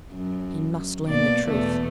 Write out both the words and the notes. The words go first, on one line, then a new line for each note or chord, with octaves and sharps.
He must learn the truth.
F#2
B2 A#3 D5
E2 B2 A3